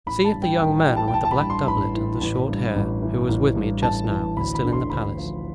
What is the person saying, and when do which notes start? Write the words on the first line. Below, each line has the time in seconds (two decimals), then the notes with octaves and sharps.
"See if the young man with the black doublet and the short hair, who was with me just now, is still in the palace."
0.06 A1 B5
0.25 A5
0.33 G2
0.42 G5
0.60 A1 G5
0.78 G5
0.86 E3
0.96 A5
1.08 G5
1.14 A1 A5
1.25 A5
1.31 B5
1.41 G2
1.50 C6
1.67 A1 B5
1.94 E3
2.21 A1
2.48 G2
2.76 A1
3.02 E3
3.29 A1
3.55 G2
3.83 A1 A5
4.09 E3
4.36 D2 B5
4.55 B5
4.64 D3
4.72 C6
4.90 D2 B5
5.18 F3